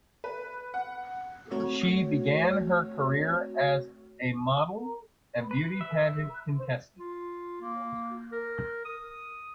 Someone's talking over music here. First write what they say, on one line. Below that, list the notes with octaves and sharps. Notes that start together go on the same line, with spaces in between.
She began her career as a model and beauty pageant contestant.
B4
F#5
A3 C4 F#4 C#5
B4
E5
F4
A#3
A#4
D#6